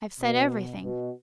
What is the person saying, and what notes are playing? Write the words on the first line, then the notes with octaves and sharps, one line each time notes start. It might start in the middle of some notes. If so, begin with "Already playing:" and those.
I've said everything....
B2
B2